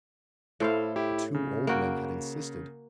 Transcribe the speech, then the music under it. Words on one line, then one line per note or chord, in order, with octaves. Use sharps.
The two old men had insisted.
A2 E4 A4 C5 F5
E4 G4
C#3
A#3 F#4 G5